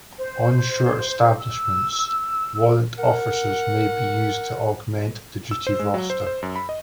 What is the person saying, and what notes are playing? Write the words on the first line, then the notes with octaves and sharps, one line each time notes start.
On shore establishments, Warrant Officers may be used to augment the duty roster.
C5
E6
A#4 F#5
E6
C5
G#3
F#3
C5
C5
F#2
B5
D#5